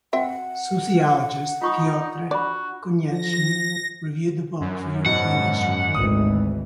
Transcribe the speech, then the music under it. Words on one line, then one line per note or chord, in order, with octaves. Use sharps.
Sociologist Piotr Konieczny reviewed the book for "European History Quarterly".
C4 F#4 E5 F#5 G5
D#4 F4 C#6 D#6
D4 F#4 D5 B5
F3 A#6
F#2
G#2 B2 F#5
G#1 D2 E3 D#6